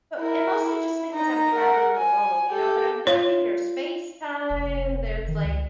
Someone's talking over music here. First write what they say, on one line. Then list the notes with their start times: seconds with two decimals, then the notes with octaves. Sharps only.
but and mostly just because I'm traveling alone, you know, but I'm thinking there's FaceTime, there's like,
0.19 E4 A#4
0.59 E4
1.13 D#4 A#5
1.52 A#4 F#5
1.97 G#5
2.50 G4 A4
3.07 F4 C#5
4.50 F1
5.28 D#3
5.45 C#2